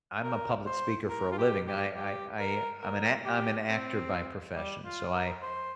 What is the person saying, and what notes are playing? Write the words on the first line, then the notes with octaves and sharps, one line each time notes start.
I'm a public speaker for a living. I I I I'm an act I'm an actor by profession, so I
A#4
C5
A#4
F4
G4
G4
G4
A#4
A#4
G4
C4
G3
F4
A#4
C5